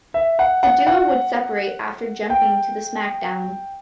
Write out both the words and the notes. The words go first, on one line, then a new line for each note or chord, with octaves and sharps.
The duo would separate after jumping to the SmackDown!
E5
F#5
F#5
F#5
G5